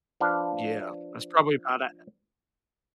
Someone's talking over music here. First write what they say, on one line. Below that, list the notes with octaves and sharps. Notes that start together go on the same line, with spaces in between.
Yeah. That's probably about ac
F3 D4 B4 F5